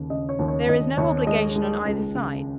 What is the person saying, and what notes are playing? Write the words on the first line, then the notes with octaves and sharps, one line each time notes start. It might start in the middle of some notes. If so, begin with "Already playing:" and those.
There is no obligation on either side.
Already playing: D#2 C#3
C#3 D#5
C#5
D#2
C#5
D#2 D#5
D#2 C#5
G#3 D#5
G#3
C#2
C#3